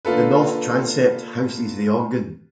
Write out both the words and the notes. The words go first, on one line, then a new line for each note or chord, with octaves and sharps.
The north transept houses the organ.
D3 A#3 F4 A4 B4